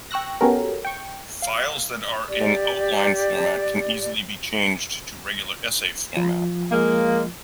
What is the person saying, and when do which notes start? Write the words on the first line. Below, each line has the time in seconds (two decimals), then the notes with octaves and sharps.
Files that are in outline format can easily be changed to regular essay format.
0.11 G5 C#6 E6 F#6 A#6
0.41 B3 C#4 F#4 G4 A4 A#4
0.85 G5 C#6
1.42 F5
2.29 G4 D5
6.17 F3 F4
6.71 G#3 A#3